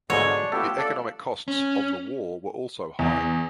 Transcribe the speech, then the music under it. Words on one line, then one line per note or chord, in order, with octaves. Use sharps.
The economic costs of the war were also high.
D#2 G#2 B2 D3 C#5 D#5
D4
A3 B3 F4 G4 A4
D4 A4 D5 E5
C#4
E2